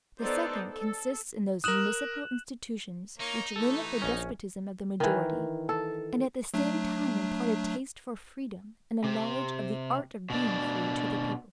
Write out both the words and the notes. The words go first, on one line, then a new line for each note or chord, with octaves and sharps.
The second consists in those municipal institutions which limit the despotism of the majority, and at the same time impart a taste for freedom and a knowledge of the art of being free to the people.
B3 D#4 A4 C5 D5
A4
A#4 D#6 F#6 E7 F#7
A#3 D#4 C#5
E3 A3 A4
A#1 C#4
D#3 E3
A4
F#3 A3 D4
C3
B2 D4